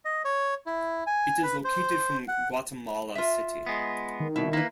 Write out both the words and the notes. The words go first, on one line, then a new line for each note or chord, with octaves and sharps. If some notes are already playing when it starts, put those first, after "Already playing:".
It is located from Guatemala City.
D#5
C#5
E4
G#5
B4
C5
F#5
F4 E5
G#3 B3
D#3
C2 B2 E4
A#3 E4 B4